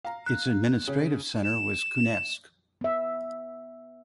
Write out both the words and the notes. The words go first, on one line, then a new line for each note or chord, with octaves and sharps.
Its administrative centre was Kuznetsk.
F5 A#5
F#6
C#3
E7
B3 E5